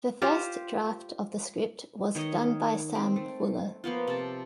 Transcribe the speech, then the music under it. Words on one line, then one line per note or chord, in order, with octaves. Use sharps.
The first draft of the script was done by Sam Fuller.
F4 G4 C5 G5
D#3 C#5 D#5
C4
A3
F3 A#3 B3 F4
C3 A5